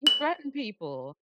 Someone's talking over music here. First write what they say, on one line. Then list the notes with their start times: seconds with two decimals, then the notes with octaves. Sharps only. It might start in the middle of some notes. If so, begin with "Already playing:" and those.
to threaten people?
0.07 F#7